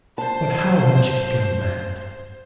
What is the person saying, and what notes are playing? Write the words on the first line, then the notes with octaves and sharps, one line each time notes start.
But how had she become mad?
C5 A5